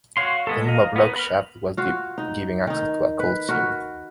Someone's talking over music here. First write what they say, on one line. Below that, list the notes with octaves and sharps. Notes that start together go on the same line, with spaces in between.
The Numa Block shaft was deep, giving access to a coal seam.
F#4 C#5 F5 C6
G#3 B3 A4
A#4 D#5 F5
B3 A#4 B4
B5 F6
F4 F#4 F5
D#4
D#3 D#4
B4
F#4 A#4 B4